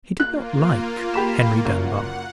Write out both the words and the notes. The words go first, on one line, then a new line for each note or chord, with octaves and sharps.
He did not like Henry Dunbar.
A#3 F4 F#6
G4 B5 E7
F#1 F#5